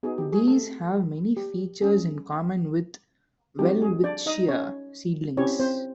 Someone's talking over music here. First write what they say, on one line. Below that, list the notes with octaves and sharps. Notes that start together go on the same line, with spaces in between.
These have many features in common with "Welwitschia" seedlings.
B3 D#4 F#4 G#4
G4
G#4
A3 A4
G4
G3 A#3 C#4 G#4
G3 C4 D#4 F#4 G4
G#4
D4 D5
D#4 D#5
C#4 C#5
C4 C#4 E4 G4 C#5
C4 C5